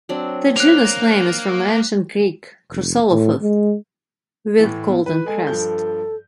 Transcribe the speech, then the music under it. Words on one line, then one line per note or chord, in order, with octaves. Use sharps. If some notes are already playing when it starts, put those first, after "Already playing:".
The genus name is from Ancient Greek "khrusolophos", "with golden crest".
F#3 C4 D4
A#3 F#6 F7
F1
A2
G#3
A2 E3
B3
E4 B4
G#3 A4 G#5
G2 F3 G6